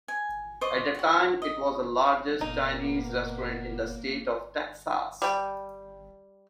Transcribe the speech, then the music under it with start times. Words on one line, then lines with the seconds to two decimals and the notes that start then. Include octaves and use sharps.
At the time it was the largest Chinese restaurant in the state of Texas.
0.08 G#5
0.61 C5 D5 D#5 C#6
0.95 F#4 F#5
1.42 D#5
2.41 F#1 A#2 A#3 B3 D#4
5.22 G3 G5